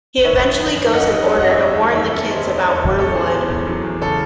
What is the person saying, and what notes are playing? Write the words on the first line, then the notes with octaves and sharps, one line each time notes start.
He eventually goes in order to warn the kids about Wormwood.
D#3 C#5 E5
F#2
D#3
F#2
F#2 D#5 F#5
F#2
G#3
D#5 F#5
F#2
C#5 E5
E1
D#3
D#3 C#5 E5
E1 A4 C#5
D#3 C5 D#5
D#2
E1 A4 C#5
E1
E2 A4 C#5
F#3 G#4 C5
E2
E2
F#3
E2
C#3 A4 C#5